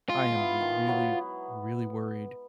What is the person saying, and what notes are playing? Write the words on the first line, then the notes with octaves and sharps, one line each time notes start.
I am really, really worried
G#3 F4
B3 E4
D#3
F#3 B3 E4
B3